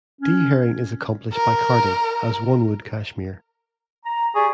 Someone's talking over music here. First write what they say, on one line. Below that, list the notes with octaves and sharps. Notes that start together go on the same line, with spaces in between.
Dehairing is accomplished by carding as one would cashmere.
C#4
A#4
A#5
G4 G#4 D5 C#6